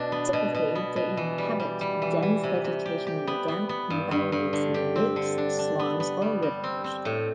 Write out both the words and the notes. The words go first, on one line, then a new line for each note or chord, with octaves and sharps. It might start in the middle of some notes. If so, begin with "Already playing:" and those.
Typically they inhabit dense vegetation in damp environments near lakes, swamps or rivers.
Already playing: B2 D4
B3
B2
B2
B3
B2
E3
G3
G3
G3
E3
E3
C3
C3
G4
G4
B3
B3
B3
G2
G2
G2
D3
G4
C4
D3
D4
D4
B3
B3
G3
G3
C4
C4
A2